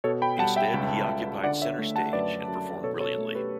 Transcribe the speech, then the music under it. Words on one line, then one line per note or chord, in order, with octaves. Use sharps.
Instead, he occupied centre-stage and performed brilliantly.
B2 A4 C#5
G5 B5
G3 F#5 A5
E5 G5
C#2
C#2
D3 D5 F#5
C#5 E5
A3
F#5 A5
F#2 B4 D5
F#2
B2 A4 C#5
A4 C#5
A3
G4 B4